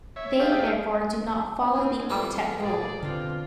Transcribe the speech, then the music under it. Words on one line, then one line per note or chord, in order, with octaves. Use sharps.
They therefore do not follow the octet rule.
C#5 E5
G4 G#4 D5 E5 F5 G5
C4 D4 E4 G#5
E3 G3 A3 B3 C4 F4 A4
A#2 G#4 D5 G5
B2 D3 C4 F4